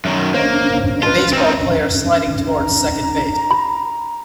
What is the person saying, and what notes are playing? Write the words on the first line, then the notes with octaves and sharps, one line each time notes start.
A baseball player sliding toward second base.
F#2 D#3
A#3 C5 C#5 D#5
F4 B4 D#5 A5
C4 D#4
A#5
B5